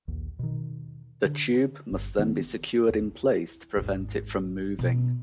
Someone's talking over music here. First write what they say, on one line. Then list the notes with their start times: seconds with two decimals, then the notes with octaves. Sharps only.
The tube must then be secured in place to prevent it from moving.
0.08 A#1 D#2
0.39 B2 D#3
1.25 D3
1.92 G1
2.19 D#3 B3
2.89 E2
3.02 E4
3.76 G#1 D#2
4.79 B2